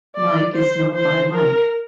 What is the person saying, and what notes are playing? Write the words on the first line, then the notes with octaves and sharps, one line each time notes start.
Like is known by like.
D5
C5
C5
A#4